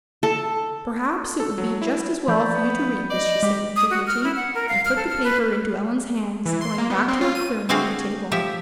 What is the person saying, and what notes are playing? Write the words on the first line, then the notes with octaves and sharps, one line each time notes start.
"Perhaps it would be just as well for you to read this," she said with dignity, and put the paper into Ellen's hands, going back to her clearing of the table.
A4
A4
F#3
E4
F3 D5 B5 G6
B3
D5 D#5
G#3 G4
D#6
F#4
F6
E4
F#5
A#4
F5
F6
A4
F6
B4
E3
C6
A#3
B3
C4
F4
D#7
D3 A3 C4 F#4 G#4 F5
F3 G4 E5